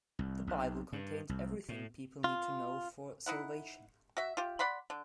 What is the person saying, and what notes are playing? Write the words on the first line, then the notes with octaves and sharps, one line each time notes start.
The Bible contains everything people need to know for salvation.
C2
B1
G2
C2
A2
F4
D#4 E4 F#5
F#4 E5
F4 G4
D5 F#5 B5 C6
D3